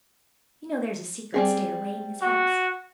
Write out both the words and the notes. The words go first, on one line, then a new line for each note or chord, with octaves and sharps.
You know there's a secret stairway in this house.
G3 C4 G#4
F#4